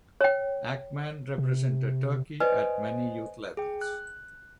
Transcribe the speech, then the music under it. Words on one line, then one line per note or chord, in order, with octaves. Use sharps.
Akman represented Turkey at many youth levels.
C#5 G5
C3
B4 C5 D5 D#5 G#5
G#4 G5
F#6